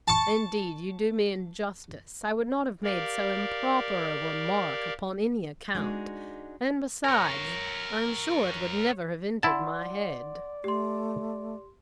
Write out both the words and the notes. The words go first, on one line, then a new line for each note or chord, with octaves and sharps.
"Indeed you do me injustice; I would not have made so improper a remark upon any account; and besides, I am sure it would never have entered my head."
A5 C#6
G4 A#4 D5 F5
G#3 D4 D#4 F#4
A#4 C#5
E4 D5 F#5 A5 C6
A3 G4 C6